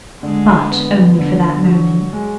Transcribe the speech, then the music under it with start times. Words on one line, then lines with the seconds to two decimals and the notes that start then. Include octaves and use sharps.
But only for that moment.
0.23 D3 G#3
0.71 B3
1.19 D3
1.65 F#3
2.13 G#3